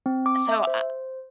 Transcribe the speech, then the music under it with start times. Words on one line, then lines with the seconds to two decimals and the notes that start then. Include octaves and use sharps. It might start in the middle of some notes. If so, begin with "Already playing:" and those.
So, I
0.06 C4
0.26 D6
0.49 E5
0.67 C5